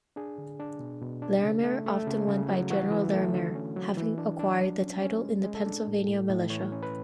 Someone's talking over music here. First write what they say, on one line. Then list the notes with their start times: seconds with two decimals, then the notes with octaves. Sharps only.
Larimer often went by "General Larimer", having acquired the title in the Pennsylvania Militia.
0.16 D4 G#4
0.38 D3
0.60 D4
0.80 B2
1.02 B2
1.22 D4
1.43 C#3
1.64 A3
1.86 A3
2.07 C#3
2.28 C#3
2.49 F#3
2.70 E3 F#4
2.91 E3
3.13 A3
3.34 D3
3.55 C#4
3.76 F#3
3.97 E3
4.18 D4
4.39 D4
4.60 F#3
4.81 C#4
5.02 C#4
5.24 G#3
5.44 G#3
5.55 A4
5.66 D4
5.87 A2
6.08 A2
6.29 A2
6.50 E3 C#5
6.72 C#4
6.83 B4